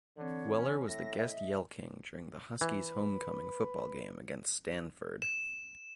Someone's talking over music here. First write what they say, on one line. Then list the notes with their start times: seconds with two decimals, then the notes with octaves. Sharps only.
Weller was the guest yell-king during the Huskies' homecoming football game against Stanford.
0.17 D3 E3 C4 C#5
0.58 C#4
0.88 A2 E5 A#6
1.19 D#5 E5
2.61 E3 B4
5.22 E7